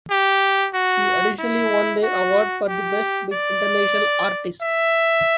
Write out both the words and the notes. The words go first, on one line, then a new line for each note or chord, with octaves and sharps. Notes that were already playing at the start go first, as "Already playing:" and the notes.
She additionally won the award for the Best Big International Artist.
G4
F#4
E4
F#4
G4
D5
E5